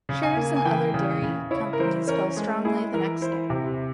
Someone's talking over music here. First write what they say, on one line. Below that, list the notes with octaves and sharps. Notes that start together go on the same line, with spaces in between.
Shares in other dairy companies fell strongly the next day.
C#3
G#5
A#3
G#5
E3 G5
C#3
C#3
E4 C#5
A#4
E3 C5
C#4 A#4
G#3 G#4
E4 G#4
E3 A#4
E4 C5
C3